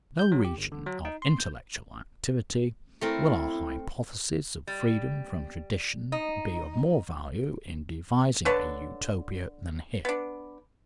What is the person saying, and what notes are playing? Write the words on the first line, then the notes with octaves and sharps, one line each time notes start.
In no region of intellectual activity will our hypothesis of freedom from tradition be of more value in devising a Utopia than here.
G6
F#3
G4
G1
D3
F#3
D#4
C6
G6
A3 C4 E4 A#4
G3
D#4
D3 B4 C#5 A5
B3 D4